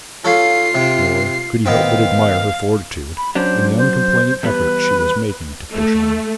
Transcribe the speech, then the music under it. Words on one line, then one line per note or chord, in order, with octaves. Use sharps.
Nor could he help but admire her fortitude and the uncomplaining effort she was making to push on.
F4 A4 C#5 F5 C7
C3 C4
D#3 B3 C4 F5
B5
F#3 C#4 D4 C5
C5
E2 G3 B3 B4
A3